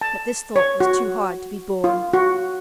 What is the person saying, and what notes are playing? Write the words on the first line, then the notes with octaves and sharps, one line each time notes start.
But this thought was too hard to be borne.
A5
C#5
F#4
F4
F#4